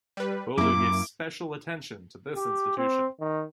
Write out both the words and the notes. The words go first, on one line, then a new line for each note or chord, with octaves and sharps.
Bholu gave special attention to this institution.
G3 B4
F#2 A#3 E4 D6
G4
C4
D#3